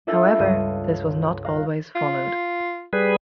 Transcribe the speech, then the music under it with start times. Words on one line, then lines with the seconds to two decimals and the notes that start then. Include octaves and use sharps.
However, this was not always followed.
0.07 D4 F4 A4 E5 A5 B5
0.38 C#2 G2 F5 D#7 E7
1.45 F5 A#5 F#6
1.95 F4
2.93 G3 G#4 B4